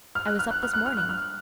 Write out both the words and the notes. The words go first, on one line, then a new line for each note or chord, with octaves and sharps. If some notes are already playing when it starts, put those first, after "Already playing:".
"I was up this morning."
F6
F#6
F6
F#6
F6
F#6
F6
F#6
F6